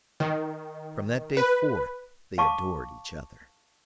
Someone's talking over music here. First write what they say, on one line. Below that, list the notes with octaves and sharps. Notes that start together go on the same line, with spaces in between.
From that day forth, they adored each other.
D#3
B4
F5 A5 C#6 D6